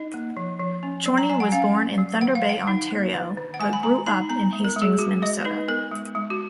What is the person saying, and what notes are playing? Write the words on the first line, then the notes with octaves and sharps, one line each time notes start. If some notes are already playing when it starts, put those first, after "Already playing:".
Chorney was born in Thunder Bay, Ontario, but grew up in Hastings, Minnesota.
Already playing: D#4 D#5
A#3
F3
F3
C#4
F#3
A#5
F#3 G#5
F#5
C#4 F5
C#4
F#3
D#3 F#5
F5
D#3 F#5
D#4
A#3
D#3
D#3
F#5
G#3 G#5
B5
G#3 A#5
D#4 B5
B3 A#5
G#3
A#4
G#3
G#4
G#3 F#4
G#3 D#5
D#4 B4
B3 A#4
G#3
G#3
F#4